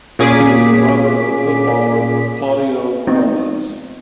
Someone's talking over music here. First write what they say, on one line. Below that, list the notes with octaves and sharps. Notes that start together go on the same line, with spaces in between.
He is the brother of the footballer Claudio Gomes.
A#2 A#3 C#4 G#4 D6 B6
B3 C4 D#4